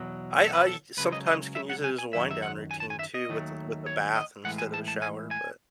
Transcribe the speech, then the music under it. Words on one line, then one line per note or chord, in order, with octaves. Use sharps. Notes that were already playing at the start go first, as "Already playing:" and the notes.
I I sometimes can use it as a wind-down routine too with a with a bath instead of a shower, but
Already playing: E2 B2 F#3
A4
B4
A4
C#2 C#3 F#3 B4
D#5
D#5
E5
F#5
G#5
G#5
F#2 D#3 F#3 E5
E5
F#5
G#5
A5
G#5
E5
D#5
D#2 D#3 F#3 A3
C#5
D#5
A2 E3 G#3 F#5
G#5
A5
A5
G#5
G#5